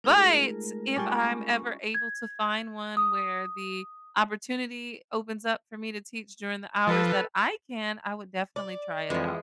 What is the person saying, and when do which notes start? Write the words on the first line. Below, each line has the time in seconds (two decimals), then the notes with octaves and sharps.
but, if I'm ever able to find one where the opportunity opens up for me to teach during the hours that I can, I would definitely try it out?
0.04 G#3 A3 D#4 F4 G#4 A#4
0.96 G3 C#4 F4 D5 A5 C#6
1.50 C#6
1.95 G#6
2.97 D#6
6.87 F3 A4 B4
8.56 D5
9.10 F2 E3 F3 G#3